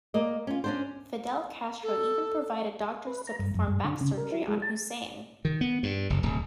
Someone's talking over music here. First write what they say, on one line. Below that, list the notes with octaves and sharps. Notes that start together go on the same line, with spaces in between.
Fidel Castro even provided doctors to perform back surgery on Hussein.
A#3 D5 D#5
C#4 F4
C#4 D4 C5
A4
B4
A#5
G2
F#2
G2
D3
C#3
A#4
E4
G#3
A5
D#3
B3
G2
F#1
D1